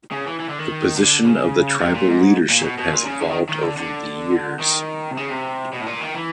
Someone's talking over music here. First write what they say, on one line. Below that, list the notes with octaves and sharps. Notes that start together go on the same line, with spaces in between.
The position of the tribal leadership has evolved over the years.
C#3
E3
E3
D3
D#3
D3
C#3
C3
A#2
G#2
A#2
B2
B2
A#2
C#3
D3
D#3
D#3
D3
D3
D#3
C3
C#3
C3
B2
A2
A#2
D#3
E3